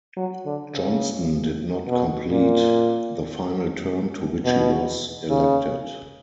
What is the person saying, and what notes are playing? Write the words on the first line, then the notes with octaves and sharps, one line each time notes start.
Johnston did not complete the final term to which he was elected.
F#3
D3
C#3
B2
A#2
B2
C#3